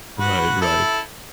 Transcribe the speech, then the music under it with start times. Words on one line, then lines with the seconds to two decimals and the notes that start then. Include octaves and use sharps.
Right, right.
0.19 F#4 B4
0.61 E4 A4